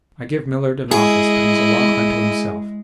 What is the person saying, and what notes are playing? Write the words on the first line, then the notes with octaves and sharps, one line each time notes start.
I give Millard an office but he's a law unto himself.
G#3 E4 G#4 D#5